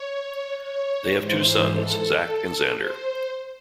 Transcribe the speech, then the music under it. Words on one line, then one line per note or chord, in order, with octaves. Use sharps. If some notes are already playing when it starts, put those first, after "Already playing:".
They have two sons, Zack and Xander.
Already playing: C#5
C#5
G#2 E3 C5
A4
C5